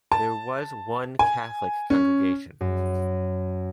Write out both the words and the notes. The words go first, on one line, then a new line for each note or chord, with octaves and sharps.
There was one Catholic congregation.
A5
G#5
C#4
F#2